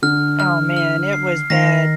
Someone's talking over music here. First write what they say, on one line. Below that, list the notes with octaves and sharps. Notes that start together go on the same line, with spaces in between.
Oh, man, it was bad.
D3 F6
F6
F6
C7
D#3 A#6